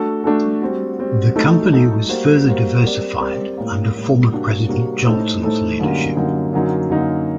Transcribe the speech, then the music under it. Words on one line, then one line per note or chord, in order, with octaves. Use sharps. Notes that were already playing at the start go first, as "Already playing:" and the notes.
The company was further diversified under former president Johnson's leadership.
Already playing: A3 D4 F#4 A4
A3 D4 F#4 A4
G3 C4 F#4
G3 C4 F#4
F#3 A3 D#4 A4
F#3 A3 D#4 A4
G3 A#3 F#4 C5
G3 A#3 F#4 C5
G3 C4 G4 A#4 D5
G3 C4 G4 A#4 D5
A2 G3 A#3
A2 G3 A#3
C3 G3 A#3 D4 F#4
C3 G3 A#3 D4 F#4
A2 A3 D#4 A4 C5
A2 A3 D#4 A4 C5
F#2 D3 G3 A#3 D#4
F#2 D3 G3 A#3 D#4
F#2 D3 F#3 A#3 D#4
F#2 D3 F#3 A#3 D#4